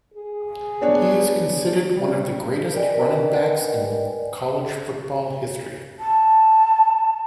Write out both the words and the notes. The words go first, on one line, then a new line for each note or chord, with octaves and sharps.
He is considered one of the greatest running backs in college football history.
G#4
B3 D4 C#5
G3
A#4 B4 D5 D#5 G5 G#5
A5